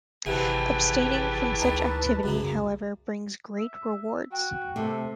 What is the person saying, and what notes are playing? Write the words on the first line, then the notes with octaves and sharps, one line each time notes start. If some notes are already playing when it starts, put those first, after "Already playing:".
Abstaining from such activity, however, brings great rewards.
G#1 C3 E3 G4 G#4 B4 F#5 A5
D2 A#3 D#4
C2 F#2 C#3 A#3
E5
F#4 G5
C3 A3 A4